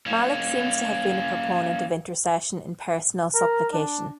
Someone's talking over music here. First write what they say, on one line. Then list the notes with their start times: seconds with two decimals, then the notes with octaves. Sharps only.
Malik seems to have been a proponent of intercession in personal supplication.
0.06 A#3 C#4
3.35 A#4
3.74 D4